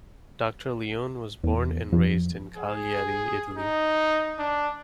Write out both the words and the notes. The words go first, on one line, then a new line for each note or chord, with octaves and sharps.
Doctor Leone was born and raised in Cagliari, Italy.
E2
F2
G#4
D#4
D4